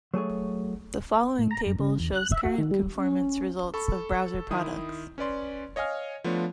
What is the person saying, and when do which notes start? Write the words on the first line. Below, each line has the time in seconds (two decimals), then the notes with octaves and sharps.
The following table shows current conformance results of browser products.
0.14 F#3 A3 G#4 C#5
1.39 A2
1.51 A#5
1.67 F#2
1.79 C#3
2.00 E2
2.15 F#6
2.32 E5
2.43 F#4
2.58 D#3
2.71 G3
2.96 C#4
3.74 A4 B5 C#6
4.51 D#3 E4 C6 D#6
5.18 C#4 B4 D5 C6
5.76 C#5 D#5 F5 G#5 F6
6.24 F3 A3 B3 D4 F4 C#5